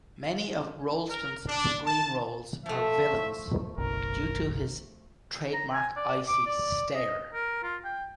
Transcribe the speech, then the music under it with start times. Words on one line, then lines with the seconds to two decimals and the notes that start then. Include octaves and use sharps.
Many of Rolston's screen roles are villains due to his trademark icy stare.
1.09 A#4
1.48 D4
1.85 A5
2.66 F3 A3 E5
3.78 F#1 B1 A#4
5.53 A#5
5.74 G#5
5.96 D5
6.28 D6
6.47 D5
6.94 D#5
7.33 A#4
7.63 F4
7.85 G5